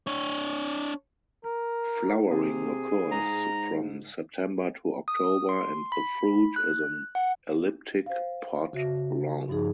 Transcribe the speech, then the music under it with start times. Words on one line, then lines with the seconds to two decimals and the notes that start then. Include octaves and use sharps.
Flowering occurs from September to October and the fruit is an elliptic pod long.
0.07 D4 C#5
1.45 A#4
2.30 C3 G#4
3.12 G#2 A#5
5.08 D#6
5.49 C6
5.92 B5
6.56 F#6
7.15 F#5
8.06 C5 F5
8.73 C#3 F#4 E5 A#6
9.49 G2 F3 D#4 G#4